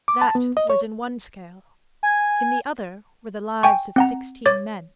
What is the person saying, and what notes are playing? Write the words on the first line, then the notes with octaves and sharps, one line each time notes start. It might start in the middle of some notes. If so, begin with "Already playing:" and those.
That was in one scale; in the other were the lives of sixteen men.
D6
A5
B3
D#5
C#5
G#5
G5 G#5 C#6
C4 F#5 A#5
C#5 D6 A6